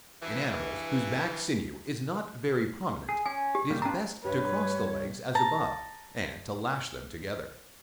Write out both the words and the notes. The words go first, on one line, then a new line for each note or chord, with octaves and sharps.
In animals whose back sinew is not very prominent, it is best to cross the legs as above, and to lash them together.
G2 E3
G#4
C#4 G#5
G4
G3 A#3
C#4 D4 F4 B4 A#5
G2 B4 C#5
A5 A#5